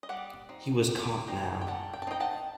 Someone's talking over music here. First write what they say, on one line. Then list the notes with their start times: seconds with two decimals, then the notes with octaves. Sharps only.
He was caught now.
0.03 D#5
0.09 G3 D5 F#5
0.49 C4 D#4
0.89 G3
1.28 C4 D#4 G5 A#5
1.61 G5
1.67 G3 F#5 A5
1.93 G5
2.02 A5
2.07 C4 D#4 D#5 G5
2.20 F#5 A5